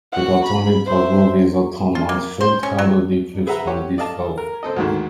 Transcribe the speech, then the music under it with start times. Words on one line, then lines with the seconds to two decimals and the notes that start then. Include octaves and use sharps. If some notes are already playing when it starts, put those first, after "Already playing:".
The Cartoon Network "Groovies" Atom Ant short had audio clips from this film.
0.13 F#4 F#5
0.45 B5
0.86 C5 E5
1.95 F4
2.09 A#3
2.41 C5
2.63 C#4
2.78 F#3
3.47 G#4 B4 E5 F#5 A#5
3.67 G4 C#5 F#5
3.98 D5 D#5 F5 A5
4.38 A#4
4.63 C4 A4 D#5
4.76 D2 G#2 D#3